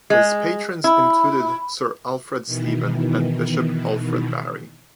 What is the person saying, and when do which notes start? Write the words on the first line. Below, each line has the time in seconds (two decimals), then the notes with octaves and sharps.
His patrons included Sir Alfred Stephen and Bishop Alfred Barry.
0.10 G#3
0.84 E4
2.46 B2 D#3 E3